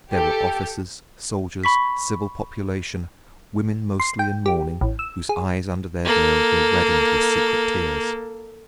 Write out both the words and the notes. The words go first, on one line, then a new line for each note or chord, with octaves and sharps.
There were officers, soldiers, civil population, women mostly in mourning, whose eyes under their veils were reddened with secret tears.
G4 A4
B5 C#6 B6
C6
G5
G4
A1
E6
G#4
A#3 A4